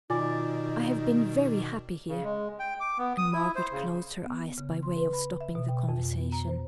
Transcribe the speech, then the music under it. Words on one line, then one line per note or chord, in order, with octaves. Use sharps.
I have been very happy here,' and Margaret closed her eyes by way of stopping the conversation.
B2 D#3 D#4 F4 D5 G#5
C#3
G#3
G5
D6
B3
D#6
E4
C5
C#3
B3
C#3
C6
B4
B5
E5
B2
G5
F2
B3
A#5
C5